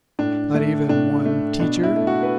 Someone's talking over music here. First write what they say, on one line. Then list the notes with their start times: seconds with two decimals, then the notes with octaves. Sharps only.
"Not even one teacher?"
0.19 A2 D4
0.54 A3
0.89 A2 D4
1.25 A3
1.60 B2 D4
1.83 E4
1.96 A3
2.07 F#4
2.23 B4